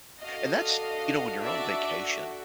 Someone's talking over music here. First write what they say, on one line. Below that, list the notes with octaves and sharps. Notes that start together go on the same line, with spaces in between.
And that's you know, when you're on vacation
D4 F#4 A4 D#5 F5
D5 E5